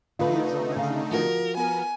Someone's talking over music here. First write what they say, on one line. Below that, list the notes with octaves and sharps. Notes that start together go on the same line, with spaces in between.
He is of Mexican heritage.
D3 A3 D#4 F4 B4
C#3 F5
F3 F#4 A#4
B3 A#4 G#5